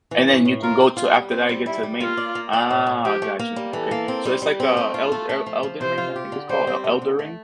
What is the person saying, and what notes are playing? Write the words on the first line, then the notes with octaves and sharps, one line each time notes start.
And then you can go to after that you get to a main Ah, gotcha, okay. So, it's, like, uh, El El Elden Ring, I think it's called El Elden Ring?
E3
A2
A2
F4 A#4
C4
F4
G3
C4
G3
G3 E4
G3
A#3 F4
D5
A#3
D5
A2
A2
F3 G4
A3
A#3
G3
E3 A4
A#3
C4
G3
G3
C4
A3
F4
A3 A4
A3
F3
F3
C3 C5
F4
G4
D3
G3 C5
C4
D3
D3
A3